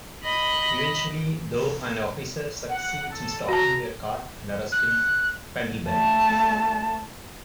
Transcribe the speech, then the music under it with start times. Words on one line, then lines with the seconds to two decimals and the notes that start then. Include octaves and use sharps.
Eventually, though, an officer succeeds in stopping their car and arresting Pendlebury.
0.23 D#5 B5
2.70 F#5
3.12 A4
3.49 F#4 B4 A5 A#5
4.72 F#6
5.87 A3 A5